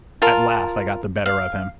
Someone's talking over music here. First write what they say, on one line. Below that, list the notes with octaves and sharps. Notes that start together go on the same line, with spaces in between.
At last I got the better of him.
F4 A#4 A5
F5